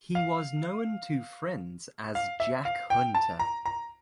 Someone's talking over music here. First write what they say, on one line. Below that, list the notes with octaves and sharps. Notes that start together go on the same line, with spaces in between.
He was known to friends as Jack Hunter.
F5
F5
E5
F5
G5
A5
A#5
A#5